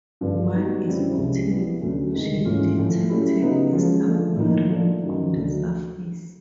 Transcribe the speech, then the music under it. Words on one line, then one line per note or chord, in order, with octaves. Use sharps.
While escorting she detected a submarine on the surface.
G2 D3 F3
G3 B3 D#4 F#4
F#2 D3 G3 C4 E4
C2 C3 F3 G#3 C#4
G3 B3 E4
D2 D3 F#3 A3 C#4
D2 C3 D#3 G#3
G#2 E3 A3 C#4 F4
A2 F3 A3
F#3 A3 C#4 E4 G4
C#3 F#3 B3 D#4
F3 G#3 C#4
D3 F3 A3
A2 F3 A#3 D#4
F3 A3 D4
F#2 D#3 F#3
D2 D3 F#3 A3